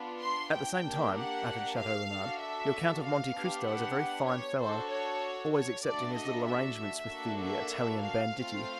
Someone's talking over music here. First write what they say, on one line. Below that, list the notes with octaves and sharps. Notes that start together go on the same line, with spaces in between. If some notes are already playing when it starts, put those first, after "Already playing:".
"At the same time," added Chateau-Renaud, "your Count of Monte Cristo is a very fine fellow, always excepting his little arrangements with the Italian banditti."
Already playing: B3 D4 F4
C6
G5
A#3 D4 G4
F#5
F5
D4 F#4 A4
E5
F5
B3 D4 G4
F#5
C#5
D4 F#4 A4 C5
C#5
C#5
A3 D4 F#4 A4 D5
D#5
E5
A#3 D4 F#4 A4
E5
F5
A3 C4 F4